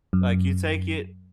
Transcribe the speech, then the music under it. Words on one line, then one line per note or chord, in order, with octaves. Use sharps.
like, you take it,
F#2